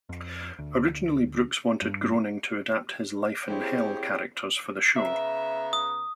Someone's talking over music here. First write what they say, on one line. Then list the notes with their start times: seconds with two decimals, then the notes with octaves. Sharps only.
Originally, Brooks wanted Groening to adapt his "Life in Hell" characters for the show.
0.09 F2
0.59 D2
1.82 G2
3.47 C4 E4 G4 G#4 C5 C#5
4.96 C#3 B3 E5 A#5
5.73 D#6